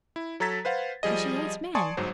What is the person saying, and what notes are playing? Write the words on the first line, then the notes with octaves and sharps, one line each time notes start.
And she hates men!
E4
F#3 A4 A#5 G#6 A6 B6
B4 C5 F5 F#5
F3 G3 G#4 D#5
D5 G#5 A5 C6 C#6 D#6
G1 G#2 F#3 C5